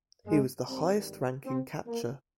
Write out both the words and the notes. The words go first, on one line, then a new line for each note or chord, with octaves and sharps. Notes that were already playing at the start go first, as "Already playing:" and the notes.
He was the highest-ranking catcher.
G#3
G#1 G2 D#3 G3 C4
C4
A#3